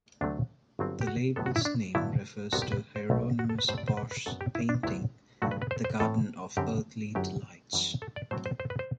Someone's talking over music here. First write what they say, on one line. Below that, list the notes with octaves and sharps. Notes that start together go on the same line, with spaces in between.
The label's name refers to Hieronymous Bosch's painting The Garden of Earthly Delights.
D2 C3 F#3 A3 D4
G1 G2 F#3 C4
G4
F#4
A2 F#3 B3 A4
F#4
E4
D4
G2 D3 F#3 B3 E4
C2 C3 G3 B3 F#4
G4
B4
C5
B1 B2 A3 C4
F#4
A4
B4
A2 G3 C4 C5
D5
C5
B4
B4
F#2 F#3 B3 A4
G4
E4
D4
D2 C3 F#3 B3 E4
G2 F#3 A3 F#4
B4
B4
C5
C5
A2 E3 A3 C4 A4
F#2 D3 G3 C4 G4
G1 F#2 F#3 B3 G4
F#2 E3 G3
A4
D5
A2 F#3 C4 C5
C5
C5
B4
C5